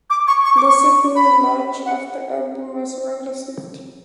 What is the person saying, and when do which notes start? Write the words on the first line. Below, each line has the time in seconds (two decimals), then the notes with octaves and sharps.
The Sydney launch of the album was well received.
0.10 D6
0.28 C#6
0.45 C#6
0.57 D6
0.69 C#6
1.16 B5
1.86 F#5